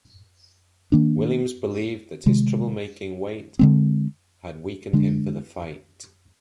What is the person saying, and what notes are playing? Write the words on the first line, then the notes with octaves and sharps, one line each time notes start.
Williams believed that his trouble making weight had weakened him for the fight.
D#3 A#3 D4
C3 D#3 G#3
D3 F3 G#3 C4
D3 G#3 D4